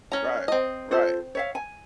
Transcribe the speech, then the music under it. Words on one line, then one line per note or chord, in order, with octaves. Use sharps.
right. Right.
C#4 C#5 A#5
C4 D#5
F4 A4 C5
C#5 E5 F5
G#5